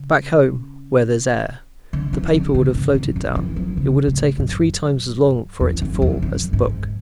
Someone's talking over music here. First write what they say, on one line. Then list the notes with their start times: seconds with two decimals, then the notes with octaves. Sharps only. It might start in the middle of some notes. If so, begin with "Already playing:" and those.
"Back home, where there's air, the paper would have floated down; it would have taken three times as long for it to fall as the book."
Already playing: C#3
1.93 D3
2.13 E3
2.34 D3
2.55 C#3
2.75 G#2
2.95 F#2
3.16 F#2
3.36 E3
3.56 F#3
3.77 C#3
4.07 A2
4.38 F#2
5.60 E2
5.82 F#2
6.02 E2
6.22 F#2
6.53 G#2